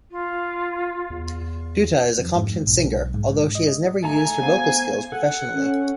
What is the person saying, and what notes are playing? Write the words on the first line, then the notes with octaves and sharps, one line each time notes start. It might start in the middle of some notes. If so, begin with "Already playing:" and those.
Dutta is a competent singer although she has never used her vocal skills professionally.
F4
E2
F2
G#2
B1
G#2
D#5
A3 A4 G#5 A#5
B3 C5 F5
A4 F#5
C#4